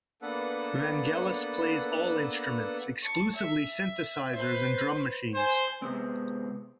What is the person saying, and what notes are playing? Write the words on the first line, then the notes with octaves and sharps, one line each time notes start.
Vangelis plays all instruments: exclusively synthesizers and drum machines.
A#3 B3 D4 A4 B4 F#5
A5 C#6
E5
B4 C5
C5 G#5
C3 G#3 B3 C4